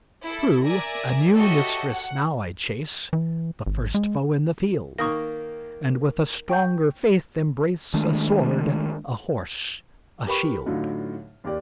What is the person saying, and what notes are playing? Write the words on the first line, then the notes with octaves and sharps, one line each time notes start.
True, a new mistress now I chase, The first foe in the field; And with a stronger faith embrace A sword, a horse, a shield.
E4 A4
A#4 D5 E5 G#5 A#6
F#4 G4 A4 C#5 D#5 E5
F#5
E3
G#1
G#3
D#3 A#3 C#6 D#6 A#6
G5 C#6 G6
D#3 G#3 A3 D4
G4 A#4 B4 B5 C#6
A2 D3 F#3 D#4 F4
D#2 A#3 G4 D5